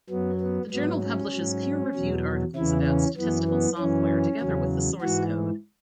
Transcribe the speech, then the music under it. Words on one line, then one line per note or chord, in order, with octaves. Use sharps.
The journal publishes peer-reviewed articles about statistical software, together with the source code.
F#2 F#3 B3
B3
G#2 F#3 B3
C#4
G#2 F#3
E2 B2 F#3
E2 C#3 E3 E4
C#4
F#2 E3 B3
B3
F#2 E3 C#4
E2 C#3 F#3
G#2 E3 F#4